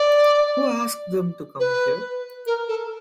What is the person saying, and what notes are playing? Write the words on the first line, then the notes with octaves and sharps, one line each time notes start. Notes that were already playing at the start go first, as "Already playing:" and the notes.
Who asked them to come here?
Already playing: D5
B4
A#4
A4